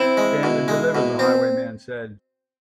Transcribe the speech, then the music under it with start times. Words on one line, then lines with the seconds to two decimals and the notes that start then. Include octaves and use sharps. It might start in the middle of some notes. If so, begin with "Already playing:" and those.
Stand and deliver, the highwayman said.
Already playing: C4 E4
0.17 G#3
0.43 B2
0.68 G#3
0.95 B2
1.19 C4